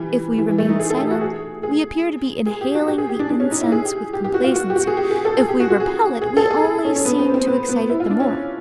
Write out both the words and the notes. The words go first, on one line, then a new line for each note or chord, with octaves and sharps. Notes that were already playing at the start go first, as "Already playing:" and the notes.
If we remain silent, we appear to be inhaling the incense with complacency; if we repel it, we only seem to excite it the more.
Already playing: E3 G3
E3
E3
A3
D#4
G#4
A4
G4
F#4
G#4
G#4
G#4
G4
F#4
G4
G#4
G4
D4
D4
C#4
D#4
E4
G#4
G4
G4
G4
F#4
F4
F#4
G4
F#4
G#4
G4
G#4
A4
G#4
G4
F#4
F#4
G#4
G#4
A4
G#4
G#4
C#4
C#4
B3
C4
C4
B3
B3
E4
F4
D4
C#4